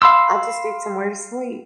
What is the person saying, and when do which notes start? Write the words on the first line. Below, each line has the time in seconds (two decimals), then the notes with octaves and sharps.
I just need somewhere to sleep.
0.02 F5 B5 C6 E6